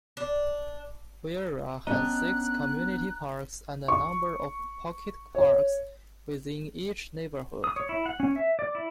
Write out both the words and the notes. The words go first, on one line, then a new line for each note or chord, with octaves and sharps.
Viera has six community parks and a number of pocket parks within each neighborhood.
D4
B3 C#4 D4 D#5 G5 A#5 F#6
C#6
C#5
D#6
C#5
E4
F#5
C#4
E5
D5
E4